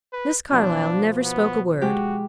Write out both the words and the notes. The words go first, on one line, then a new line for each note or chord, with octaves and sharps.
Miss Carlyle never spoke a word.
B4
B2 F3 D4
B3
G#3 F#4 G4